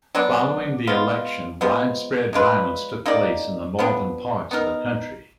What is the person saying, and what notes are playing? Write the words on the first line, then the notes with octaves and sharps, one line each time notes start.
Following the election widespread violence took place in the northern parts of the country.
D3 F#3 B3 D4
G#3 B3 F4
F3 G#3 B3
G#3 D4 F4 B4
A#3 D#4 G#4 D5
F3 B3 D4
B3 D#4 A#4